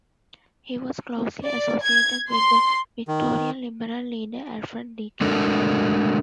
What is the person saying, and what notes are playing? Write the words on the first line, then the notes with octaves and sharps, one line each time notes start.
He was closely associated with the Victorian liberal leader Alfred Deakin.
D5
G#6
C6
D#3
G#3 A3 D4 F#4 A4 A#4